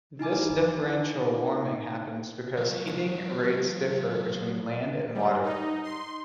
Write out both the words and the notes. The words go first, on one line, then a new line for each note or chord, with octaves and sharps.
This differential warming happens because heating rates differ between land and water.
D#4 E4 G#5 D6
F#3 F4
G3
D#4
C6